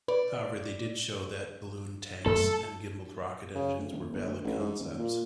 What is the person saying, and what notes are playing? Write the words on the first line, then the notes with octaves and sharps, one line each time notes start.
However they did show that balloon tanks, and gimbaled rocket engines were valid concepts.
B4 D5
F#2 A3 A4
C#3
D2
D#1
G1
D2
A1
G#2
D#1
A#2